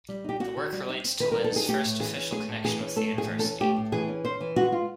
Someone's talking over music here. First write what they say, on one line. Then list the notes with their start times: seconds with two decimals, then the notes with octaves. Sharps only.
The work relates to Lin's first official connection with the university.
0.09 G3
0.24 D#4 G4
0.40 C4 F#4
0.57 D#3
0.72 G3
0.88 D#4
1.04 C4
1.20 D#3 B4
1.32 G3 A#4
1.44 A4
1.52 D#4 G#4
1.68 A3 G4
1.84 A2
2.00 E3 G#4
2.16 C#4
2.32 A3 G#4
2.48 A2
2.65 E3 G#4
2.80 C#4
2.96 A3 A4
3.13 A2
3.18 G#4
3.28 E3
3.39 A4
3.44 C#4
3.60 A3 G4
3.76 A2
3.92 E3 G#4
4.08 C#4
4.24 C#4 C5
4.40 E3
4.56 G#3 F#4
4.72 F4